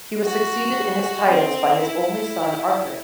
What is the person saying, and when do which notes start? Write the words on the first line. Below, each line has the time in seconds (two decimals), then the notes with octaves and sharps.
He was succeeded in his titles by his only son Arthur.
0.24 F#4
1.28 C4
1.80 E4